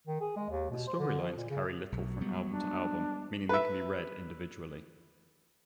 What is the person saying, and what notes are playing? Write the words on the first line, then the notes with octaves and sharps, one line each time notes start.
The storylines carry little from album to album, meaning they can be read individually.
D#3
G#4
G#3
D#2
B2
C5
D3
F3
A#2
C#3
B1 F#3
G3 G#3 B3
D4
B4 E5